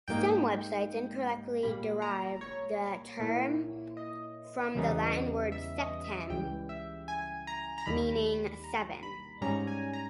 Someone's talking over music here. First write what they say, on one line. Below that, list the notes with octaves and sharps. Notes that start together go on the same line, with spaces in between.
Some websites incorrectly derive the term from the Latin word "septem", meaning "seven".
G#2 G3 A#3 D#4 G5
A#2 G3 A#3 B5
A#5
C#5
A#2 A#3 E4
D#5
E2 C#3 G3 B3 D#4
E5
D#5
E5
C#2 C#3 E3 G3 G5
E5
G#5
A#5
A#5
D#2 D#3 G3 B5
A#5
B5
G#2 G3 C#4 A#5
G#5
A#5